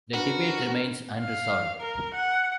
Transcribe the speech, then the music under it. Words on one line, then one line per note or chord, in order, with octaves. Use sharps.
The debate remains unresolved.
F3 D4 F#4 A#4 B4
F5
A#4
F#5